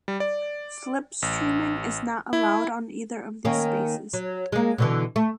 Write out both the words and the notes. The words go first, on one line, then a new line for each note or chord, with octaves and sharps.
Slipstreaming is not allowed on either of these spaces.
G3
D5
A1
E4
D#3 A#3 C#4
F#3
G#3 A#3
B2 D3 E3
A3